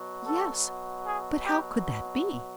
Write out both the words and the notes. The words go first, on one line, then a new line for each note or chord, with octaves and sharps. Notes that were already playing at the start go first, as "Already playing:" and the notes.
"Yes, but how could that be?"
Already playing: B2 F#3
A4
G#4
G4